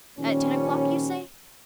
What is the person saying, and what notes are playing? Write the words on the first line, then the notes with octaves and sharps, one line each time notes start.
"At ten o'clock, you say?"
A#2 D#3 F3 G3 C#4